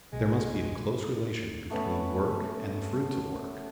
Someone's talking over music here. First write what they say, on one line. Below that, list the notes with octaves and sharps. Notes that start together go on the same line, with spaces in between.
There must be a close relation between work and the fruits of work.
B1 G#3
A3 B3 C#4 B4